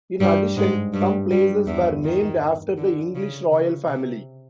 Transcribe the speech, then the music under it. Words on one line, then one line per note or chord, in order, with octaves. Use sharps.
In addition, some places were named after the English royal family.
G2 G3
G#2 G#3
G2 G3
G2 G3
E2 E3
D#3
D3
C#3
C#3
C3